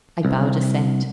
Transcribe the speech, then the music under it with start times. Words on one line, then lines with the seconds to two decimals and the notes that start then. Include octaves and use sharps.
I bowed assent.
0.25 C2